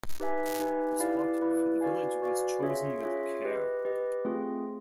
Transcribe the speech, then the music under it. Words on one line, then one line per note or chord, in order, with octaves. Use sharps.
The spot for the village was chosen with care.
D#4 G4 B4 E5 G#5
D#4 G4 B4 E5 G#5
E4 G4 B4 D5 F5
E4 G4 B4 D5 F5
F#4 B4 D5 F5 G#5
F#4 B4 D5 F5 G#5
C#4 F4 G#4 C#5 E5
C#4 F4 G#4 C#5 E5
G4 B4 D#5
G4 B4 D#5
A3 C4 F4 G#4